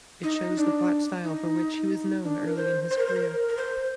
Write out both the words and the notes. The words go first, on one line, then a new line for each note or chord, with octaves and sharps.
It shows the flat style for which he was known early in his career.
D#4
D4
D#4
D4
A#4
C5
C5
A#4
C5
A#4
A#4
C5